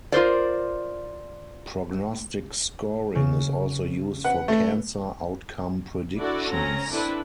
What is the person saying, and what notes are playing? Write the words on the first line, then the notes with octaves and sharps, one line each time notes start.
Prognostic scoring is also used for cancer outcome predictions.
F4 A#4 C5 D5
C#3
B4 F#5
A3
D4 E4 F#4 A4 D5
C4 C#4 A#5
C4 D4 E4 A4 B4